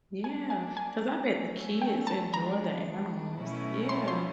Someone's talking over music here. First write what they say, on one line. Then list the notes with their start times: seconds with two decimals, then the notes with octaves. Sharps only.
Yeah, 'cause I bet the kids enjoy the animals. Yeah.
0.24 F#3 A#3 D4 G#5
0.50 G#5
0.77 G#5
1.29 F#3 A3 C#4
1.82 G5
2.07 A5
2.33 F3 G#3 B3 D4 A#5
3.37 B2 F#3 A3 C#4 E4
3.89 C6
4.08 C6